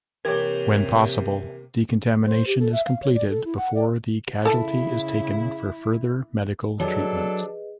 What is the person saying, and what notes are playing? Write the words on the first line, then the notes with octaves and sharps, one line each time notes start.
When possible, decontamination is completed before the casualty is taken for further medical treatment.
C3 E3 A#3 G4 A#4 C#5 G#6
C5
G4
A4
E5
F5
C#5
D5
A4
E4
F#5
D5
C#3 E4 A4 A5
F#3 D4 G#4 A4 B4 D#5